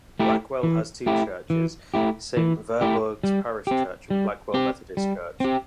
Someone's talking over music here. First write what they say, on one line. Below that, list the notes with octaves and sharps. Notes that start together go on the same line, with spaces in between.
Blackwell has two churches: Saint Werburgh's Parish Church and Blackwell Methodist Church.
A3 E4 G4
E3
A3 E4 G4
E3
A3 E4 G4
E3
A3 E4 G4
G3
C4 G4
G3
C4 G4
G3
C4 G4